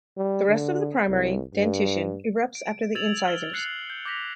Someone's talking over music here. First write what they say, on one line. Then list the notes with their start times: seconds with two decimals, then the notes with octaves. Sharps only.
The rest of the primary dentition erupts after the incisors.
0.17 G3
0.49 D3
1.09 C2
1.55 G2
2.55 D7
2.95 E6 G#6 A6 F7 F#7
3.24 F6 G7
3.53 F#6 A6 C7 C#7 F7 F#7
3.90 G6
4.05 D6 G6 G#6 A#6 B6 F7